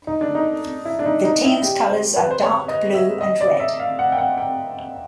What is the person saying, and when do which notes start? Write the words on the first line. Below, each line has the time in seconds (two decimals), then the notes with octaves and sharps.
The team's colours are dark blue and red.
0.07 D#4
0.21 D4
0.35 D#4
0.85 E4
0.99 D4
1.05 D#4
1.25 D#4
1.45 E4
1.64 G4
1.90 C5
2.16 B4
2.31 C5
2.42 C#5
2.68 D#5
2.94 E5
3.21 D#5
3.41 D5
3.60 E5
3.80 F5
3.99 F#5
4.12 G5
4.18 F#5
4.38 G5